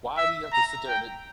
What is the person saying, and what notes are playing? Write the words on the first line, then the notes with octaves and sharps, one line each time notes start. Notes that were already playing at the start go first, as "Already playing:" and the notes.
Why do you have to sit there and then
E5
A#5
G5